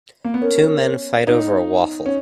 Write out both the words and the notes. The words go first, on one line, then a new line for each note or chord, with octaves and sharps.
Two men fight over a waffle.
A#3
B3
C#4 A#4
D#4
C#4